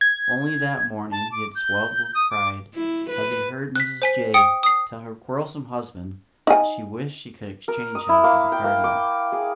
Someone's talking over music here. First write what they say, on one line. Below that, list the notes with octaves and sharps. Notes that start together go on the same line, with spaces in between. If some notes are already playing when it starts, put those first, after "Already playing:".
Only that morning he had swelled with pride as he heard Mrs. Jay tell her quarrelsome husband that she wished she could exchange him for the Cardinal.
G#6
A5
D6
G6
D#6
D6
E4
B4
F#6 B6
C5 G#5 B6
G5 D#6 C#7
D#6 C7
D#4 G#5
A#4
D#6
E4
A#3
G5
A#3
D6
G#4